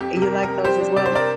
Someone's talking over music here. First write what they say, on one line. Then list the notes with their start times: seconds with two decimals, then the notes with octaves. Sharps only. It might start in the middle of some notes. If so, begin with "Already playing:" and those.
You like those as well?
0.01 F2 G4
0.17 C3
0.22 A#4
0.33 G3
0.43 F2 A#4
0.64 G3 G4 C5
0.81 D4
0.96 C3 D5
1.06 C5
1.12 D4 A#4 D5